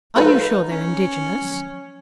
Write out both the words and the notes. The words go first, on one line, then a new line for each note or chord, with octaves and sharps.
"Are you sure they're indigenous?"
D#4 F4 A4 B4
C#4